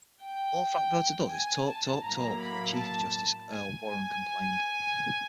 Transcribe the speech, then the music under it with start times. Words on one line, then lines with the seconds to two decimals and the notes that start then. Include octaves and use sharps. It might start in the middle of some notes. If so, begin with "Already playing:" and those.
"All Frankfurter does is talk, talk, talk," Chief Justice Earl Warren complained.
0.22 G5
1.31 G#5
1.68 A5
2.05 A2 F#3 A#3 A#5
2.41 B5
2.78 A5
3.52 G#5
3.88 G#5